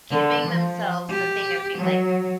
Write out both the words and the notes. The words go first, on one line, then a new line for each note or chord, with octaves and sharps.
giving themselves the thing of being like,
D3
F3
G4
F#3